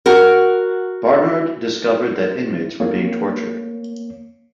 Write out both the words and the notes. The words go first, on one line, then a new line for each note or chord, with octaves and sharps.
Barnard discovered that inmates were being tortured.
F#4 A#4
A#3 C#5